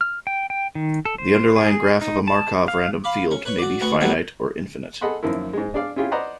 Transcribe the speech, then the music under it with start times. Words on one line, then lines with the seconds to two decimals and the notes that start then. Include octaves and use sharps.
The underlying graph of a Markov random field may be finite or infinite.
0.01 F6
0.27 G5
0.50 G5
0.75 D#3
1.05 A4
1.18 C5
1.56 G#4
2.01 D#4
2.28 A5
2.68 F5
3.04 F5 B5 D6
3.31 C#4
3.45 B4 C#5
3.58 F#4 D5
3.81 D2 B3 F#5 C#6
4.01 F#3 G3 A3 B3 C4 F#4
5.01 G#4 A4 D#5 F#5 B5 C6
5.23 F#2 D#3 F3 A#3 E4
5.53 G#2 G#3
5.74 D4 G#4 D5 F5
5.96 C#4 E4 F4 G4 G#4
6.12 B4 C5 D5 D#5 F#5 A#5